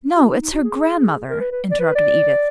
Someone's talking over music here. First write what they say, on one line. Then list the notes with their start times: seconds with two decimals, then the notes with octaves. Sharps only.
"No, it's her grandmother," interrupted Edith.
0.15 F#4
0.23 F4
0.31 D#4
0.42 D#4
0.52 F#4
0.64 G#4
1.29 A#4
1.40 B4
1.52 B4
1.71 D5
1.80 B4
1.95 D5